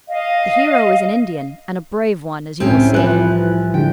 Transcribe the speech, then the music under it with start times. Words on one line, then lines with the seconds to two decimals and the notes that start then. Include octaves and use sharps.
The hero is an Indian, and a brave one, as you will see.
0.08 D#5 F5
2.60 C2 A2 C4 C#4 G#5
2.94 E3 F3 B4 F#6
3.74 D3 G3 G5